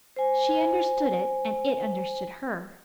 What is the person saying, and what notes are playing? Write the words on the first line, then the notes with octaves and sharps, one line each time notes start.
She understood it, and it understood her.
C5 G#5